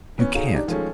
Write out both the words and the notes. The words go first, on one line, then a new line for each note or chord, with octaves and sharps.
You can't.
E3 B3 C#4
D#4 F#4 G#4 A4 C#5 F5
D4 D#4 G4
D#3 F3 G#3 A3 C#4